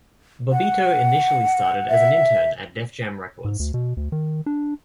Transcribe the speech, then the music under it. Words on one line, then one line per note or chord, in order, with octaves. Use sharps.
Bobbito initially started as an intern at Def Jam Records.
F#5
E5
G#2
D2
B2
D2
D#3
D4